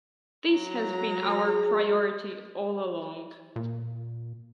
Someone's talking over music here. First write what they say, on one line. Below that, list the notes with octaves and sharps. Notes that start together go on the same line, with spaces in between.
This has been our priority all along.
F#3 A#5
G#4
A#2